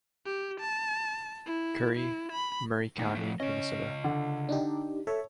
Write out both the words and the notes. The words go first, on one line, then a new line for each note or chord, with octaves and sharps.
Currie, Murray County, Minnesota'.
G4
A5
E4
E4
B5
D3 A#3 D#4
F3 A3
C#3 C#4 D#5
D3
D4 D#4 G4
A4 C#5 E5